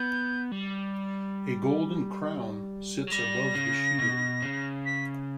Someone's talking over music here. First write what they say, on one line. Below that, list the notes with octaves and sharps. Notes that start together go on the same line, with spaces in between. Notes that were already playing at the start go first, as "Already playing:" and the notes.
A golden crown sits above the shield.
Already playing: B3 G6
G3
F#3
G3 A#6
C#3
B2
C#3
B6